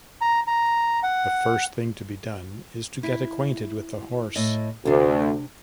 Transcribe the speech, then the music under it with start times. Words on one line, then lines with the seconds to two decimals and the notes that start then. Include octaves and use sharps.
The first thing to be done is to get acquainted with the horse.
0.21 A#5
0.47 A#5
1.03 F#5
3.03 E4
4.36 A2 D#5
4.85 D2 C3 D4